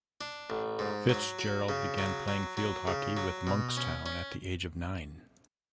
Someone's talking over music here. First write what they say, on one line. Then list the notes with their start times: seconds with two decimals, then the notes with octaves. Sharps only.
Fitzgerald began playing field hockey with Monkstown at the age of nine.
0.21 D4
0.50 A1
0.79 G#2
1.09 F#3
1.39 F#4
1.69 C#3
1.98 F#3
2.28 F#3
2.57 F#3
2.87 C#3
3.17 F#3
3.47 B2
3.77 C#4
4.06 C#4